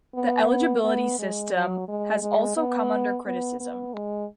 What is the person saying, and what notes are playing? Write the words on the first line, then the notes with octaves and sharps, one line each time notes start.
The eligibility system has also come under criticism.
B3
B3
G#3
F#3
G#3
G#3
B3
B3
B3
G#3